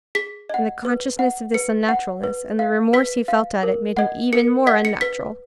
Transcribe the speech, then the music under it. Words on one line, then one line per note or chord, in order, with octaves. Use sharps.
And the consciousness of this unnaturalness, and the remorse he felt at it, made him even more unnatural.
G#4 B6
D#5 F#5
B4
F#5
B4 C#7
F#5
B4
F5
B4 B6
F5
A#4
D#5 F#5
A#4 C#7
D#5 F#5 B6
C#7
B4 B6